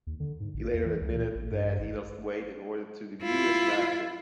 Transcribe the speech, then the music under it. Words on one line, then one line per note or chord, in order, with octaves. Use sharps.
He later admitted that he lost weight in order to debut as an actor.
D#2
D3
G#2
A1
E2
E3
C#2
A#2
A1
G2
G#1
E4 F4